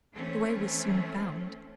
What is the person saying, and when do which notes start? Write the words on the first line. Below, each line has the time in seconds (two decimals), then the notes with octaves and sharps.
The way was soon found.
0.12 E3 A3 C4 C#4